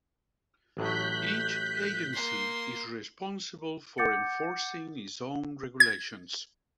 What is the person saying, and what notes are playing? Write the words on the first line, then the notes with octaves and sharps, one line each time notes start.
Each agency is responsible for enforcing its own regulations.
A1 A2 F#3 F#6 G6 B6
A#3 C6
F#5 D6 G6 A6 C#7
G#6